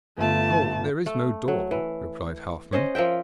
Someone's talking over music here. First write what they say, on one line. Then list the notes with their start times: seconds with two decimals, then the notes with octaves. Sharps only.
'Oh, there is no door,' replied Halfman.
0.18 G1 A3 F4 A5
1.06 A3
1.48 F#3
1.71 E3
2.73 C#4 C5 D#5
2.95 F3 A#4 E5 G5